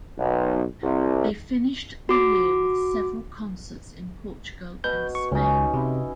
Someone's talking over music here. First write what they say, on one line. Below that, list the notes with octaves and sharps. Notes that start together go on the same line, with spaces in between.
They finished the year with several concerts in Portugal and Spain.
B1
C2
F#4 D6
B2 B4 G6
C#6
C#2 C#4 D#4
C3 E4 D#5